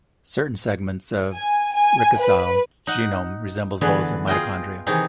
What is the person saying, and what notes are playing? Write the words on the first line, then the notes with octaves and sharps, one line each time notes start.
Certain segments of rickettsial genomes resemble those of mitochondria.
G#5
G#5
B4
D#4 F#5
D3 E3 B3 G#4
F4 G#4 D#5 G5
C3 D#3 E3 D#4 G#4